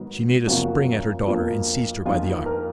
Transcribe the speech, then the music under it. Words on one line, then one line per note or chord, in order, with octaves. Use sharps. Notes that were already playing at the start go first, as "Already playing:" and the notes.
She made a spring at her daughter, and seized her by the arm.
Already playing: G#2 D#3 F#3 B3
F#2 C#3 F3 A#3 F#4
F2 F3 A#3
F2 D#3 A#3 F4
A#4